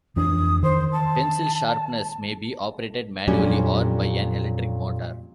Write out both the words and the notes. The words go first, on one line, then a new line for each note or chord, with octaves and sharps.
Pencil sharpeners may be operated manually or by an electric motor.
F2 E3 D4 D#6
D#3 C5
A5
F2 A#2 F#3 G3 C#4 D4